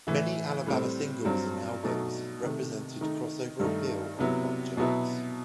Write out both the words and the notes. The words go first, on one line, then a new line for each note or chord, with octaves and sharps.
Many Alabama singles and albums represented crossover appeal on the pop charts.
A2 E3 A3 E4
A2 G3 C4
G2 F#3 C4
B2 F#3 A3 D#4
C3 D#3 A3
D#3 A3 D#4
G2 D#3 A3 D#4
C3 F#3 B3 E4
B2 F#3 B3 E4